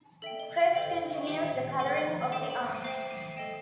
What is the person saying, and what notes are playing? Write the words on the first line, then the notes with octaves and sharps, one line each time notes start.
The crest continues the colouring of the arms.
A4 E5 G5 F#7
G7
G7
F#7
A4 C5 D#5 G5 F#7
G4 C5 E5 G5
A4 C5 F#5 D#7
A4 C5 E5 G5 E7
F#7
D#7
C5 E5 G5 C7
D#7
C7
D#7
A4 D#5 G5 E7